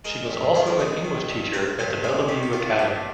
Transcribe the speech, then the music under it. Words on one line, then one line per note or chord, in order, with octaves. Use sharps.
She was also an English teacher at the Bellevue Academy.
G#3 A#4
G2
D#3 C5
A#4
G#3 G#4
D#3
G2
C4 A#4
G2 C5
G#3 G#4
D#3 G4
D#4
D#3 F4
G2 D4